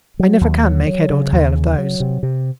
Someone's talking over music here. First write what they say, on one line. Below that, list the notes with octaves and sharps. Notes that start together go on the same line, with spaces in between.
I never can make head or tail of those.
F#3
D#2
F#3
F#3
C#3
D#2
C#3
F#3
C3
C3